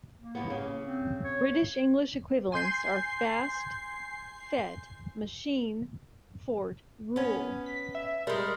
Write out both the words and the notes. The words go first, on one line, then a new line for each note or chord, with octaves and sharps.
British English equivalents are "fast, fete, machine, fort, rule".
A#3
D#2 B3
C#3
C4
C#5
G#5 C6 G6 C7
B3 C#4
B6
E5
G3 G#3 A#4